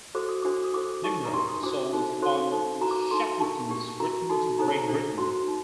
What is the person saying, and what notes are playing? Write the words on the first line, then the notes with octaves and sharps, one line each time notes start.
"Nimrod" was sold on Shackleton's return to Great Britain.
F#4 A4 C5 D6
D#6
D4 F#4 C5 D6
D#6
F#4 A4 C5 D6
D#4 G4 A#4
A#5
D4 G4 A#4 C6
D#6
D4 F#4 C5 D6
D#4 F#4 A4 C5
F#4 A4 C5 C6
D#4 A4 C5
F#4 A#4 A#5
D6
D#4 F#4 A4 C6
D4 G4 A#4 A5
D4 G4 A#4
F#4 A#4 A#5
D#4 F#4 A4
D#4 A4 C5 A#5
A5
A#5
D4 A4 C5
D4 F#4 A#4 C6
D#4